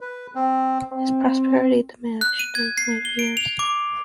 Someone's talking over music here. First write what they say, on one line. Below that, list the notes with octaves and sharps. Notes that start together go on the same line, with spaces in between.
His prosperity diminished in his later years.
B4
C4
C4
F#6
D#7
G#6
C7
G7
D7
F7
D6